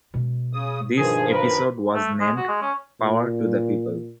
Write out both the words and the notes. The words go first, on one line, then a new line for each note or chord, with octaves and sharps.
This episode was named "Power to the People".
B2 G#3
C#3 D#6
G2 D#3 F3 G#4
A#4 B4
A3
G#3
F#4
G#3
C#4
A#2